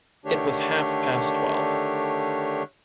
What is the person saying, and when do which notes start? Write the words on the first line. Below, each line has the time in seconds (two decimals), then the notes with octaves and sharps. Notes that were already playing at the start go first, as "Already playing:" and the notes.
It was half-past twelve.
0.25 D3 D#3 A3 D4 G4 C#5